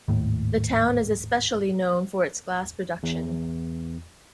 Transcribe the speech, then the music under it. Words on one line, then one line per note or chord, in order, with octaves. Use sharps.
The town is especially known for its glass production.
G#1 D#2 A2
E2